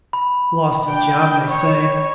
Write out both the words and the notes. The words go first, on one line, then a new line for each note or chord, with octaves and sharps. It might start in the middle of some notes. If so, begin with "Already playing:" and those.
Lost his job, they say.
B5
D4 G5
C#5